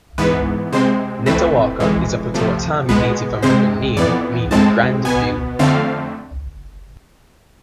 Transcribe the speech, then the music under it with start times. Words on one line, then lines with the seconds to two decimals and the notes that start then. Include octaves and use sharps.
Netawaka is a Pottawatami Native American name meaning "grand view".
0.18 G#2 E3 B3 B4
0.73 C3 G#3 C4 C5
1.26 F2 E3 A3 C4 B4
1.80 F2 E3 G#3
2.34 C3 F3 A3
2.89 B2 G#3 B3 B4
3.43 C3 G#3 C4 C5
3.97 F2 E3 B3 D5
4.51 A2 G#3 C4 A5
5.05 B2 B3 G#5
5.59 F2 D3 A3 C4 F5